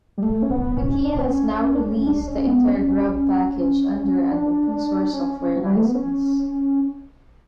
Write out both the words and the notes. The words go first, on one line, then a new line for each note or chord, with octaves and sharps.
Wikia has now released the entire Grub package under an open source software license.
G3
A3
C#4
B3
C#4
D4
C#4
B3
C#4
D4
C#4
D4
C#4
B3
C#4
D4
C#4
F#3
G3
A3
B3
C#4